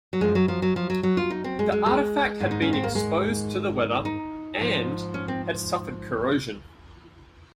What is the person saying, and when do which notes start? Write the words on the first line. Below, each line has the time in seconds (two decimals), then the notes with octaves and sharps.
The artifact had been exposed to the weather and had suffered corrosion.
0.13 F#3
0.21 F#2 F3 G#3
0.35 F#3
0.48 F3
0.62 F#3
0.76 F3
0.90 F#3
1.03 F#3
1.17 F4
1.30 D#4
1.44 C4
1.59 G#3
1.72 G#3
1.86 G#3
2.40 G#2 D#3
2.51 D#4
2.62 C#4
2.73 C4
2.83 A#3
2.95 G#3
4.05 D#4
4.60 G#2 F3
5.14 C#4
5.28 C4